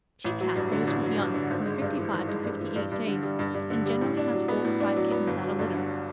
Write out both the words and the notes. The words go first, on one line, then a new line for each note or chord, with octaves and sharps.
The she Cat goes with young from fifty-five to fifty-eight days, and generally has four or five kittens at a litter.
A1
F#3
G2
D3
A1
F#3
G2
D3
G#1
G#3
G2
E3
G#1
G#3
G2
E3
G2
G2
D3
G3
G2
G2
D3
G3
A2
D4
F#3
B3
A2
D4
F#3
B3
G1
F#3
G2
D3